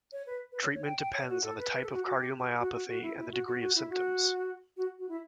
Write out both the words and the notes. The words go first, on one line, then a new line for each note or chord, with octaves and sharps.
Treatment depends on the type of cardiomyopathy and the degree of symptoms.
C#5
B4
B4
C#5
C#5
G5
G5
C#5
F#4
A4
B4
B4
A4
G4
F#4
F#4
G4
G4
F#4
F#4
F#4
E4
E4
F#4
F#4
F#4
E4
F#4
F#4
F#4
E4